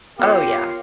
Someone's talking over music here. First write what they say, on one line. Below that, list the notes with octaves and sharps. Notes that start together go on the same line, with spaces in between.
Oh, yeah.
B3 F4 G4 A#4 C#5 F5